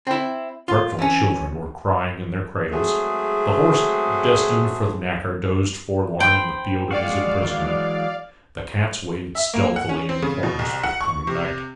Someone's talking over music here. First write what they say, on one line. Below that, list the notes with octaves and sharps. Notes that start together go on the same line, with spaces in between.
The fretful children were crying in their cradles; the horse destined for the knacker dozed forlorn in the field of his imprisonment; the cats waited stealthily in corners for the coming night.
C4 E4
F4
E3 C#4
F#3 G#3 A3 C4 G#4
C5 G5 B5 C6
G#3 F#4 D5 F5
E3 F#3 G#3
E5
A#3
F#5
C#4
C4
C#3
B2
C2
F#5
C#6
C3